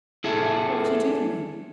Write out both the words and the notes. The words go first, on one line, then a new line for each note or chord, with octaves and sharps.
"What would you do to me?"
E4 G#4 A4 E5